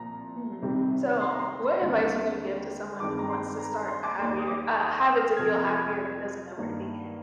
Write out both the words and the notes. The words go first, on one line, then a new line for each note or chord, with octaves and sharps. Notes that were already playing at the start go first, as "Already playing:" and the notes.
Mhm. So, what advice would you give to someone who wants to start a happier a habit to feel happier but doesn't know where to begin?
Already playing: C2 A#2 F3 A#5
C2 C3 D#3 G3 C4
C6
A#5
C6
D#2 D3 G3 C4
G2 D#3 G#3 C4 D6
A#5
C6
A#5
A#5
C6
D6
D#2 D#3 A#3 C6
D#6
D6
D#6
D#6
F6
F2 C3 F3 G#6
G#6
G2 D#3 A#3